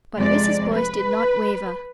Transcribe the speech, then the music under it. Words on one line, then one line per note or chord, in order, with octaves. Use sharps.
But Mrs. Boyce did not waver.
F2 C3 G#3 D5
B4